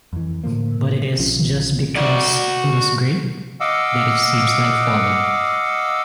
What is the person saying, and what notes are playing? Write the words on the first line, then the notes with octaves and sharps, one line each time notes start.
But it is just because it is great, that it seems like folly.
F2 E3
A2 D3 F3 A#3
B1 F3 C#4
F#4 D5
D#5 F5 F#5 D6 E6